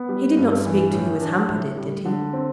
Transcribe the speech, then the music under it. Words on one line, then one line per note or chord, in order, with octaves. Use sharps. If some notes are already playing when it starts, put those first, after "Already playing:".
He did not speak to you as Hamper did, did he?'
Already playing: B3
G3
G2
E3
A2
D4
A2
G3
D3
C4